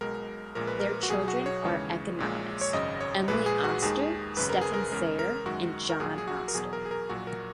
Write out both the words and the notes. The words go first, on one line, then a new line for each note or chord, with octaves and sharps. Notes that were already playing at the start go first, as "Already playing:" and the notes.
Their children are economist Emily Oster, Stephen Fair, and John Oster.
B1 B2 G#3 A#4
A#1 A#2 G#3 A#4
B4
A#4
F#4
B1 B2 F#3 G#4
F#4
C#5
D#2 C#3 E3 G#3
A#1 A#2 G#3
C#5
G#1 F#2 C#3 D#5
C#5
A#1 A#2 G#3 B4
G#4
F#4
D#2 D#3 G#3 G#4
G#1 F#2 C#3 B4
A#4
G#4
A#4
E2 C#3 G#3 A#4
A#4
F#2 D#3 G#3 F#4
A#4
A#1 A#2 F#3 G#4
G#4
F#4
A#4
E2 B2 F#3 G#4
A#4
G#4
A#4
A#1 A#2 F#3 F#4
A#4